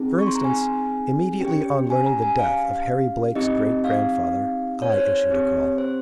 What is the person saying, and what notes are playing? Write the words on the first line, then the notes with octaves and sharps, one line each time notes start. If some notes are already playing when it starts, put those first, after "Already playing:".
For instance, immediately on learning the death of Harry Blake's great-grandfather, I issued a call.
Already playing: C4 D#4 G#4
C#6
C6
A#5
G#5
C#4 G4 G5
G#5
A#5
G#5
F5
C4 D#4 G4 D#5
F5
C#5
C5
C#5
C4 G4
C5